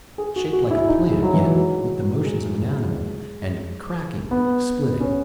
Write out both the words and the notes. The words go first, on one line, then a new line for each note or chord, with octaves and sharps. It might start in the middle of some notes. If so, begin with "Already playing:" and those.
Shaped like a plant, yet with the motions of an animal. And cracking, splitting.
G#4
F#4
F#4
E4
D#4
G#3
F#3
E3
F#3
G#3
B3
C#4